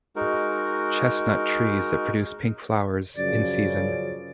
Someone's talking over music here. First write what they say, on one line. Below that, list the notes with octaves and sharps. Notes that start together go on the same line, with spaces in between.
Chestnut trees that produce pink flowers, in season.
G#3 D#4 F#4 A#4
F#2 C#3 F3 D5